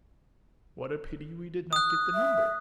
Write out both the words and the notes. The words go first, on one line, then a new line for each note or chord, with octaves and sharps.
"What a pity we did not get the number!"
D#6 F#6
E5